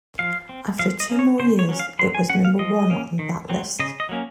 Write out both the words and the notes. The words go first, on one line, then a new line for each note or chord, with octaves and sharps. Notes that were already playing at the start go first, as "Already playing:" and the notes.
After two more years, it was number one on that list.
F3 F5
C4
F3 F5
D#5
A#3 C#4
C#5
C#3 C5
C#5
F#3 C#4
F5
F#3 C6
G#5
C#4 F#5
F5
F3 D#5
A#3 C#4
D#3
F#3 C4
C#3 D#5
D#5
F#3 A#3 C#4